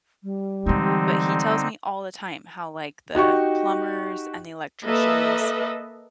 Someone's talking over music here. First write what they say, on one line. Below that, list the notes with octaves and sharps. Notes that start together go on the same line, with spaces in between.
But he tells me all the time how, like, the plumbers, and the electricians,
G3
D3 E3 G#3 C4 D#4
D#4 F#4 G4 C#6
A#3 A4 B4 D#5 E5